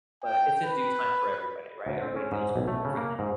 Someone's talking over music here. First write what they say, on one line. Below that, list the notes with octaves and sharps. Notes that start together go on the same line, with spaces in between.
but it's in due time for everybody, right? Everybody deals with it differently.
G5
B4
D2
C4
C#4
G#2
B1
A3
C#3
A#3
G#2